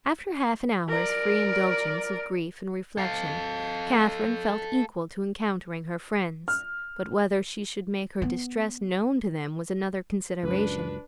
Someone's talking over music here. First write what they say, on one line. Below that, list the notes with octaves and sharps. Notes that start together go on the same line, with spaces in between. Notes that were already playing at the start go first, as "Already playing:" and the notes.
After half an hour's free indulgence of grief and reflection, Catherine felt equal to encountering her friends; but whether she should make her distress known to them was another consideration.
A#4 D5
A4 F5
F6
B3
C#2 F#2 D4 B4